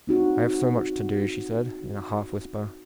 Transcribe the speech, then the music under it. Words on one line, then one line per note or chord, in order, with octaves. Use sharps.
"I have so much to do," she said, in a half-whisper.
C4 D#4 F#4